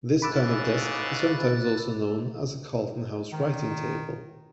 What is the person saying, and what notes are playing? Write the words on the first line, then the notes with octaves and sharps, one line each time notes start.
This kind of desk is sometimes also known as a Carlton House writing table.
A1 G#2 C#3 B5 D6 E6 F#6 A6
D#3